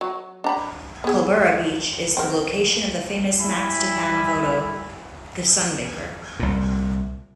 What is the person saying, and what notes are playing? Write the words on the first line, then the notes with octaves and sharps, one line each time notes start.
Culburra Beach is the location of the famous Max Dupain photo "The Sunbaker".
F#3
D4 A#5 B5
B3 G#4
C4 A#4
G3 E4 G#5 B5
C2 A#2